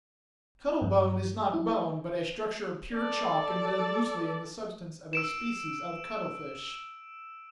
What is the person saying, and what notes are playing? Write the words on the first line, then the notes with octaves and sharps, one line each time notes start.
Cuttle-bone is not bone, but a structure of pure chalk imbedded loosely in the substance of a species of cuttlefish.
G2
E4
A4 D5
E6 D7 E7